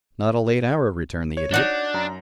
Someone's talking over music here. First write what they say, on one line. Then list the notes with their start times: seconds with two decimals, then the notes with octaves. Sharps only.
"Not a late hour," returned the Idiot.
1.37 C#5
1.54 D4 D#4 F#4
1.94 F#2 A#5